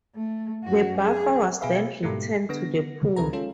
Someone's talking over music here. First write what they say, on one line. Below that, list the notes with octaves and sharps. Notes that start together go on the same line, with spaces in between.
The buffer was then returned to the pool.
A3
F#2 F#4
G#4
B2 B3 G#4 B4 E5 F5
G#2 B2 G3 A3 A#3
D3 B3 A#6
C#2 C3 F3 A4 B4 A#5
G#3 C#4 F4 A4